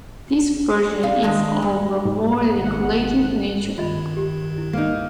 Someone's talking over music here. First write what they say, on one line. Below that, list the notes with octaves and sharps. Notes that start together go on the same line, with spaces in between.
This version is of a more decorated nature.
G3 F5
D#3 G#3 D4
G2
G#2
G#1 B2 F#5
G2 D#3 F4 D#5 B5
G4
E4
A#3 D#4